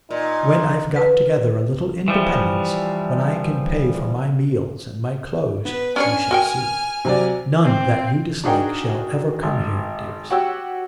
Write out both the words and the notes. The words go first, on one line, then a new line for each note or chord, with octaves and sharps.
When I've got together a little independence, when I can pay for my meals and my clothes, you shall see; none that you dislike shall ever come here, dearest.
A#2 D#4
B4
E3 F3 G3
B3 B4
C#4 D4 C#5 G#5 F6
F#4 A#4 G5
C3 F#3 D5
C4
D4 D#4 F#4 G#4 A#4 G5
G#1
F#4 G4 C#5 F#5 G5 E6